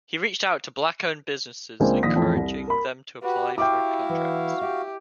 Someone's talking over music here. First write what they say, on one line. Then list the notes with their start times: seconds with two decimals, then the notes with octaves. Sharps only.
He reached out to black-owned businesses, encouraging them to apply for contracts.
1.80 C#2 G#3 A#3 C4 D4 G#5
2.03 A#1 D#3 D#6 A#6 B6
2.16 F2 A2 E3 F4
2.36 C2
2.68 A#4 B5
3.23 F#4 G4 B4
3.58 E4 F#4 G4 E5 F5 G5 D6
4.09 E3
4.61 G4 E5